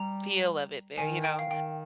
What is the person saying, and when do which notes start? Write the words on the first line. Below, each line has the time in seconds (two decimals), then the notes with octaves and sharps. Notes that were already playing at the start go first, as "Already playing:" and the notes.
feel of it there you know?
Already playing: G3 A#5
0.98 D#3 G#5
1.24 G5
1.39 F5
1.50 D#3 G5